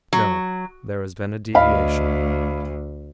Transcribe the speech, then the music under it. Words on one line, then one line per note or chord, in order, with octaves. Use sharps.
No, there has been a deviation.
F#3
D2 D#5 F5 B5